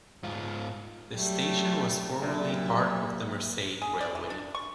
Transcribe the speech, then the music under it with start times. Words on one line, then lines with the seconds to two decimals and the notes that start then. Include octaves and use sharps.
The station was formerly part of the Mersey Railway.
0.23 G#2 F4
1.14 F#3 G3 A3
2.22 A#2 F#3 G3 E5
3.82 G#4
4.01 D5
4.15 E3
4.30 D4
4.55 C#6